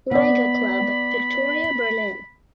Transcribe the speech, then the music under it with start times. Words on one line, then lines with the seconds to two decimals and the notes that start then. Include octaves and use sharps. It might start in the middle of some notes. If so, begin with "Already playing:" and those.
Liga club Viktoria Berlin.
0.11 B3 D5 B5